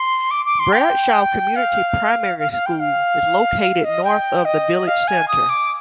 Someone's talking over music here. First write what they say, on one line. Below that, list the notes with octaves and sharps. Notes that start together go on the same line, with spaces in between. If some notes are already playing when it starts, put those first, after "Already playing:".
Bradshaw Community Primary School is located north of the village centre.
Already playing: C6
D6
D6
C6
G5
F5
F5
F5
G5
F5
F5
D#5
G5
D#5
F5
G#5
D#6
D6